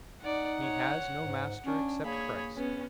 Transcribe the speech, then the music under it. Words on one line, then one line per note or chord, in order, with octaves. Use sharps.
He has no master except Christ.
D#4 D5 F#5
C#5
G#2
C#4 D4
A#3 G#4 C#5 B5
B3 C#4